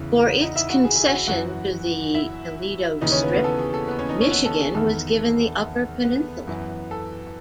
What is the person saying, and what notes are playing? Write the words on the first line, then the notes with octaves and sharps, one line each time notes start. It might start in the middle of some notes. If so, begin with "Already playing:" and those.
For its concession to the Toledo Strip, Michigan was given the Upper Peninsula.
Already playing: E2 C#3 E3
D#4 D#5
E4 E5
F#4 F#5
G#4 G#5
G#4 G#5
F#4 F#5
F#2 E3 F#4 F#5
E4 E5
D#2 C#3 E3 D#4 D#5
C#4 C#5
B3 B4
B3 B4
A4
G#4
A4
B3 B4
C#4 C#5
D#4 D#5
C#4 C#5
B3 B4
A4
G#4
E2 D#3 A4
B3 B4
F#2 E3
A4